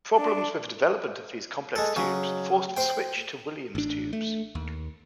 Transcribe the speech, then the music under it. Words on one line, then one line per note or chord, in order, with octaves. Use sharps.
Problems with the development of these complex tubes forced the switch to Williams tubes.
D4
G#3 A4
C#3 F#3
C5 G5
A1 D4
A3
D#2